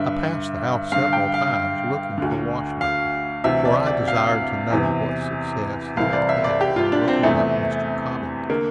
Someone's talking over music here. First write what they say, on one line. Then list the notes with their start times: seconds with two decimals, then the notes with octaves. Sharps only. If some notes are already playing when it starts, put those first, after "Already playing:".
I passed the house several times, looking for Washburn, for I desired to know what success he had had in looking up Mr. Cobbington.
Already playing: G2 D3 E5
0.92 G2 D3 F5
1.13 G5
1.34 F5
2.18 D2 D3
2.81 F5
3.44 D2 C3 E3 E5
3.65 D5
3.86 D5
4.08 F5
4.71 E2 C3 E3
5.97 C2 C3 E3 F5
6.13 D5
6.29 E5
6.44 D5
6.61 G4
6.76 F4
6.92 D4
7.08 C4
7.23 E2 C3 E3 A3
8.50 D3 A#3